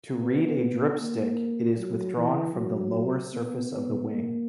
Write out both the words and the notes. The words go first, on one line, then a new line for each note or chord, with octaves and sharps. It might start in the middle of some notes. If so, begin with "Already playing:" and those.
To read a dripstick, it is withdrawn from the lower surface of the wing.
B3
A#3
F#3
E3
F#3
B3
B3
A#3